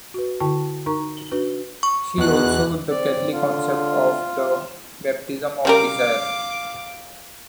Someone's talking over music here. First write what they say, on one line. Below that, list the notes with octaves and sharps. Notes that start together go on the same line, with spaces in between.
See also the Catholic concept of the "Baptism of Desire".
F#4 B4
D3 E4 F#4 G5 A5 C#6
D#4 A#4 A#5 C#6
D4 F#4 B4
C#6
E2 B2 F#6
C4 D5
D3 F4
C#3 G3 A#4 F5 D6